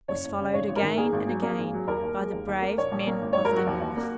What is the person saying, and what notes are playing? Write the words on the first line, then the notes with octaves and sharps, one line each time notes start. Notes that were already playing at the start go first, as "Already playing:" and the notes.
It was followed again and again by the brave men of the North.
F#1 C#5
F#1
C#3
G#1 C#5
G#1
A#4
D#3
A#3 G#4
G#1
F#3
A#3
G#1
F#3
D#2 A#4
D#2
G#3
D#2
D#2
A#3
A#1 C#5
A#1
A#3
G#1
G#1 C#5
A#4
F#3 F#4
D#2
D#2
A#3